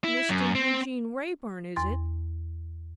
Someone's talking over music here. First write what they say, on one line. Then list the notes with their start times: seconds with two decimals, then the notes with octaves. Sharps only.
'Mr Eugene Wrayburn, is it?
0.04 E4
0.29 F#2
0.55 C4
1.76 E2 C6 A6